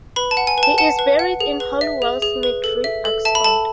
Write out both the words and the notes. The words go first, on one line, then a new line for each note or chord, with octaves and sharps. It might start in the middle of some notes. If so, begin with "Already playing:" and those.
He is buried in Holywell Cemetery, Oxford.
B4 B5
A5
F#5
G#5
B4
A5
F#5 A5
B4
F#5
G#4
B4
E5
G#4
G#4
B4
A4
E5
A4
E5 A5
B5
A4 A5